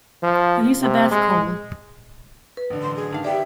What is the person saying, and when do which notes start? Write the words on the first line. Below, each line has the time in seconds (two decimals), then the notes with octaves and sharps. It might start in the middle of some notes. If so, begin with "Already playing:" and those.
Elizabeth Cole.
0.23 F3
0.81 C3
1.11 G#3
2.57 B4
2.70 A1 D3
2.82 E3 F#3 C6
2.96 G#4
3.12 D#3 D4 F5
3.24 B3 G4 D5 E5 G5